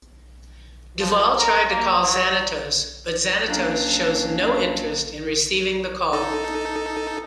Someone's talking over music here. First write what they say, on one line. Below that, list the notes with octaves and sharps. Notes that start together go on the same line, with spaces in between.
Duval tried to call Xanatos, but Xanatos shows no interest in receiving the call.
F3
A#4
A#3
F#3
F2 F#3 A#3 C#4 D4
D#4 A4